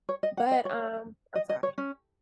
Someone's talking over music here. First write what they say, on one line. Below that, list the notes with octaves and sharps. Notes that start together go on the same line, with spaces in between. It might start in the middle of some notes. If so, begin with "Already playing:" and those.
but, um I'm sorry.
C#5
D#5
F#5
D#5
C#5
D#5
D#5
C#5
C#4